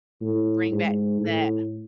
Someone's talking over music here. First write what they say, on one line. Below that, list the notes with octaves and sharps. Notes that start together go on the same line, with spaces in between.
bring back that
A2
G#2
A2